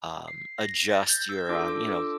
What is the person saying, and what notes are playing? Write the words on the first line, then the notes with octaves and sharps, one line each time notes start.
um, adjust your, um, you know,
C7
A#6
A6
G6
E6
D4 F4 A4 D6
E6
D6